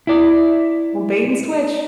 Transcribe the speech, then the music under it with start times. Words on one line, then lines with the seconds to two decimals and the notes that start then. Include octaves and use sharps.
old bait and switch.
0.07 E4 D5